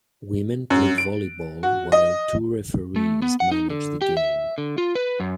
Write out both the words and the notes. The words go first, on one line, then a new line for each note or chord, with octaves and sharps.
Women play volleyball while two referees manage the game.
F#2
D7
F#4
D#5
A3
B3
F#5
D#4
D3
G4
E5
D3
F4
B4
F#2